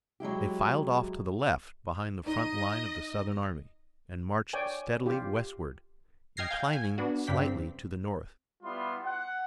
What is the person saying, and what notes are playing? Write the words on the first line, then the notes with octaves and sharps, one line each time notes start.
They filed off to the left behind the front line of the Southern army, and marched steadily westward, inclining slightly to the north.
F#3 G#3 E4 G4
D#4 D#5
C#5 D5 G5 G#5
F4 G4
D#5 G5 F6 G#6 A#6 C7
F5 G5 G#5 G6
G#5
B3 D4 F#4
G2 C#3 D4 G5 B6
C4
G3 B3 E4 F4 C6
F#5